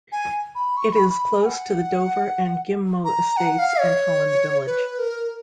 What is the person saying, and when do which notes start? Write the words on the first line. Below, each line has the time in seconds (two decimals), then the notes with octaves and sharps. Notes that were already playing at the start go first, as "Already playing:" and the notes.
It is close to the Dover and Ghim Moh estates, and Holland Village.
0.12 G#5
0.55 B5
0.77 C#6
0.93 B5
1.09 B5
1.25 B5
1.41 G#5
1.46 F#5
3.05 A#5
3.37 F#5
3.59 F5
3.80 C#5
4.66 B4
4.99 A#4